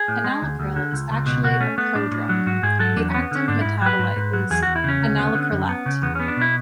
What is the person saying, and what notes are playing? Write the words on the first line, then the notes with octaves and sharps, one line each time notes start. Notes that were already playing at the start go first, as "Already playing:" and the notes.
Enalapril is actually a prodrug; the active metabolite is enalaprilat.
Already playing: G#4
A2
G#3
D2
D2
D3
C#2
C#2
B2
B2 F#4
A3 C#4
A3 B3
A2 D4
A2
F#3
G#2 F#4
G#2 G#4
F#3 A4
E2 D4
B3 C#4
B3
D3 C#4
G#2 D4
G#2 E4
F#3 B4
G#2
G#2
F#3
E2 G#4
E2 F#4
E4
C#3 C#4
D2
B3
D3
F#2
B3
C#3
E2 B3
B3 C#4
D4
B2 E4